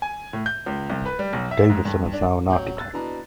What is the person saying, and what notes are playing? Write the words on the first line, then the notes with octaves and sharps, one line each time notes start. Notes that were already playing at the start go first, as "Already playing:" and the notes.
Davison is now an architect.
G#5
A2
G6
C#2
C2
B4
G3
B1
E5
G#2
G2
D4
A1 F#3 G5 G6
E6 F#6 A6
B2 D4 E4 A#5